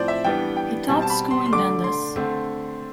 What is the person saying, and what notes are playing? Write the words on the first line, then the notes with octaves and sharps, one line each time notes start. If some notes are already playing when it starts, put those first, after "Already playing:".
He taught school in Dundas.
Already playing: A2 F3 C4 C5 D5
E5
E3 G3 B3 D4 G5
G5
B2 G3 C4 A5
A5
B5
C6
C6
D3 A3 D4 D6
C6
D3 A3 C4